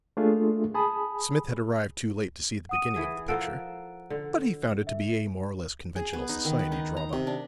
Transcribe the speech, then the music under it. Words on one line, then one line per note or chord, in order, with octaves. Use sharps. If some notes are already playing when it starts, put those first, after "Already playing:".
Smith had arrived too late to see the beginning of the picture; but he found it to be a more or less conventional society drama.
A3 A#3 D4 F4 G#4 A4
G#4 G#5 A5 B5 D#6
F#5 D#6 D#7
E3 G#4
F3 A4 A#4 F#5 F#6 D7
D3
E5
G#4
B3
D#4
D#3
B4
D#4
A#5
C3
D4